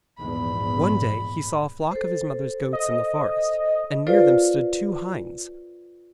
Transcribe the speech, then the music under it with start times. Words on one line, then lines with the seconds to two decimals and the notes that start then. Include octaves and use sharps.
One day he saw a flock of his mother's goats in the forest, and near them stood two hinds.
0.18 A#1 E2 G#2 B5
1.91 A4 C5
2.73 D#5
4.07 F4 A4 B4 C5 D5 F5